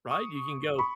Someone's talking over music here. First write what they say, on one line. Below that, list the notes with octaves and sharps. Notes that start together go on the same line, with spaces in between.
Right? You can go
C#6 D#6
B5 C#6